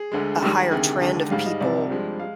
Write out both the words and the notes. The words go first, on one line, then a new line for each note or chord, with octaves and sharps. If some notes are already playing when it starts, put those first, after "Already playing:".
a higher trend of people
Already playing: G#4
D2 D3 G#3
D#2 D#3 G3
D2 C3 D#3 G#4
D#2 D3 G#3
G#2 G3 F5
D#5
C2 C3 F3 D5
G2 F3 G#3
G#3 F5